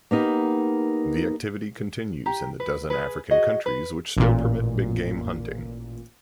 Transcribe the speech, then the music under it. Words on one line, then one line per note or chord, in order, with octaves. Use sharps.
The activity continues in the dozen African countries which still permit big-game hunting.
A#3 B3 D#4 G4
G4 A#5
B4
G#4 B4
F#4 G#4 D#5
B4
A1 A#2